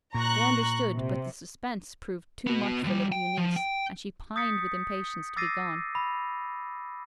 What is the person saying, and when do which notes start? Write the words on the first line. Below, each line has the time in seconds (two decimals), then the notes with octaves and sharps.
They understood, but the suspense proved too much for little Eunice, and she pined with impatience to be gone.
0.14 A#2 A#5 C#6 F#6
0.93 C3
2.47 B3 F#4
2.84 D#2 G3
3.12 G5
3.38 F3
3.56 G5
4.36 D#6 G6 A6 B6 C#7
5.36 D6 E6 A6 A#6 C7 D#7
5.95 B5